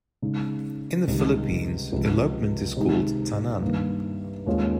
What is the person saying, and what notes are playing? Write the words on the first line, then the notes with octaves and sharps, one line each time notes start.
In the Philippines, elopement is called "tanan".
C#3 G#3 D#4
C#2 C3 D#3 G3
C#2 C3 F3
C3 D#3 G#3 D#4
G2 D#3 A#3
D#2 D#3 G#3 C#4 F4